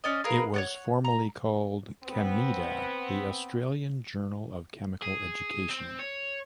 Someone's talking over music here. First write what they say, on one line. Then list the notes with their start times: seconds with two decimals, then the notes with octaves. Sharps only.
It was formally called "Chemeda: The Australian Journal of Chemical Education".
0.04 C#4 D5 D#5
0.24 G#4 A#4 B4 F5
0.54 C#5 D5 F#5
1.04 A#5
2.03 B3 C4
5.02 G#4
5.70 C4
5.99 C#5